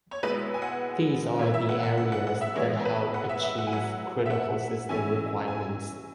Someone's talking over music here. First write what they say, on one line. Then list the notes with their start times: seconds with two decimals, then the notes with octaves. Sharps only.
These are the areas that help achieve critical system requirements.
0.11 C#5
0.23 B2 G#3 B3 E4 B4
0.54 G#5
0.62 F#5
1.39 C#3 E3 B3 E4 C#5
1.54 E5
1.69 F#5
1.83 F#5
1.98 F#5
2.12 F#5
2.27 F#5
2.41 E5
2.55 E3 G#3 B3 E4 C#5
2.85 B4
3.14 F#5
3.29 E5
3.43 E5
3.58 F#5
3.67 G#5
3.72 F#3 E4 F#5
4.26 E5
4.30 F#5
4.89 E3 C#4 E4 G#5
5.48 G#5